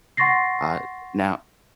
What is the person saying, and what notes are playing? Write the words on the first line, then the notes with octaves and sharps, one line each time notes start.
Uh, now
F#5 C6 C#6 A6 A#6 C7